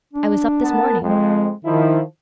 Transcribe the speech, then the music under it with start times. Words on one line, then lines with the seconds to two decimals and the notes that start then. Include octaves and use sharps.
"I was up this morning."
0.13 D4
0.62 B3 A#4 A5
1.01 F2 G#3
1.65 D#3 F3 D#4 E4